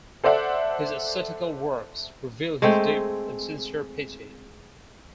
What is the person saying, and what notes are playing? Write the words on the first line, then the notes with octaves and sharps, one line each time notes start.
His ascetical works reveal his deep and sincere piety.
A4 C5 D5 E5 F#5
G#3 A3 C4